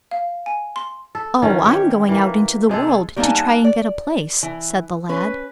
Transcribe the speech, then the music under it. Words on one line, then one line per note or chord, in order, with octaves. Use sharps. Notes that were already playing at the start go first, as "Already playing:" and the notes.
"Oh, I'm going out into the world to try and get a place," said the lad.
F5
G#5
C6
A4
D#3 E3 F#3 C#4
G4 C#5
E3 A#3
C3 G#3 G#4 A4
G3 A#3 B3 D#4 G#5 A5
D5
E3
C#4 B4